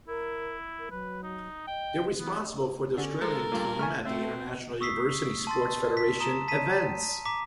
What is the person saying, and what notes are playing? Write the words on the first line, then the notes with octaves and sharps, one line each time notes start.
They are responsible for the Australian team at the International University Sports Federation events.
E4 A#4
A#4
F#3 B4
D#4
D#5 G5
E3 B3
D3 C#4
G#3 A4 A#4
G2 A#2
A3 G#5 C#6 F6
C4 E5
C#6 D#6 E6 B6 C7
A5 C6 A6
B6
A#5 D#6 E7
A5 B6 D#7
A#5 D6 B6